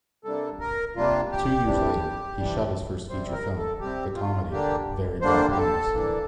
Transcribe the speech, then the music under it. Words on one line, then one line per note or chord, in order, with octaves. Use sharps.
Two years later he shot his first feature film, the comedy Very Bad Things.
C3 G3 A#3 D4 A4
A#4
C3 G3 A#3 D4 F4
G4
C3 E3 G3 D4
C3 E3 G3 D4
C3 G3 C4 C5
A#4
A4
C3 G3 C4 G4
F4
D3 G3 A#3 D4 G4
D3 G3 A#3 D4 C5
G4
A4
E3 A#3 D4